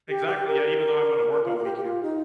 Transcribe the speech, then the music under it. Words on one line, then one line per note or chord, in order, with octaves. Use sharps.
Exactly. Yeah, even though I'm gonna work all weekend.
G4
G4
A#4
F4
A#4
G4
G4
F4
D#4